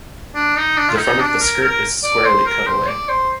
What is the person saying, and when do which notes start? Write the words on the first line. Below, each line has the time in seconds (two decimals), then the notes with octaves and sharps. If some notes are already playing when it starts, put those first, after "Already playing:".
The front of the skirt is squarely cut away.
0.35 D4
0.57 D#4
0.77 D4
0.89 F4
0.98 D#4
1.19 D4
1.40 A#4
1.61 A#4
2.03 D5
2.25 C5
2.46 A#4
2.67 C5
2.88 D5
3.09 C5